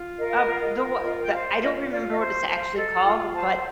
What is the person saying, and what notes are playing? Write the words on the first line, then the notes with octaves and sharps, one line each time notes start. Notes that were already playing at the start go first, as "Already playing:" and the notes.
Uh, the w the I don't remember what it's actually called but
Already playing: F4
A#4 D#5
F5
D#5
F4
D#5
A#4
F4 D#5
G5
C5 F5
F4 D#5
F4 D5
D#5
C5
C5
F5
A4 D#5
F4 F5
C5 A5